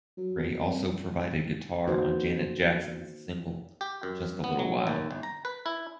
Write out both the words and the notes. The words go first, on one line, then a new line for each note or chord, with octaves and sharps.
Rey also provided guitar on Janet Jackson's single "Just a Little While".
F#3
B2
F2
D#3 A#3 D#4 F#4 B4 C5
G4
F#2
B3
F#3
D#2
G1
A#5
B4
E4